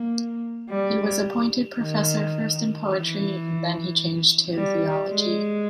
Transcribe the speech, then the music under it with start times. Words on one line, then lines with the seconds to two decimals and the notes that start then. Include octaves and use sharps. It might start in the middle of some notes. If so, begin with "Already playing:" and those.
He was appointed professor first in poetry, and then he changed to theology.
Already playing: A#3
0.69 G3
1.80 D#3
2.89 E3
4.54 G3
5.09 G#3